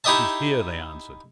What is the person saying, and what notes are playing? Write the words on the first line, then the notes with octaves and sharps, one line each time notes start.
"He's here," they answered.
D#4 E4 G4 D#5 E5 A5